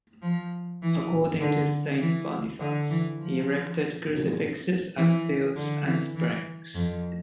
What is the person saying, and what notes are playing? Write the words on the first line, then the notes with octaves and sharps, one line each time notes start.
According to Saint Boniface, he erected crucifixes at fields and springs.
F3
E3
D3
E3
D3
E3
F3
E3
D3
E3
E3
F2